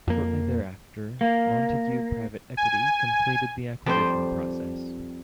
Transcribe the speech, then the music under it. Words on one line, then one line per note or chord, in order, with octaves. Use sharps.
Shortly thereafter, Montague Private Equity completed the acquisition process.
F2 A#3
A#3
G#5
F2 G3 C5 G5